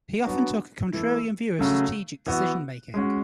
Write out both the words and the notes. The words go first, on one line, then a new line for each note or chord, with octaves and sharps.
He often took a contrarian view of strategic decision making.
F#3 B3 D4 F#4
E3 A3 E4
C#3 F#3 A3
E3 B3 F#4
G#3 C#4 F#4